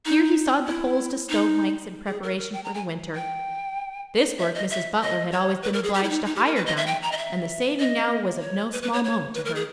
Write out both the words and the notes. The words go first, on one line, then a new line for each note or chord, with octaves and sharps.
Here he sawed the poles to stove lengths in preparation for the winter. This work Mrs. Butler had always been obliged to hire done, and the saving now was of no small moment to her.
D#4
E4
D#4
G#4
A#4
A#4
G5
A#5
G#5
G5
E5
D#5
E5
D#5
C#5
B4
A#4
G#4
G4
E4
D#4
D#4
G4
A#4
B4
D#5
E5
G5
A#5
D#5
E5
D#5
C#5
B4
B4
C#5
C#5
B4
A#4
G#4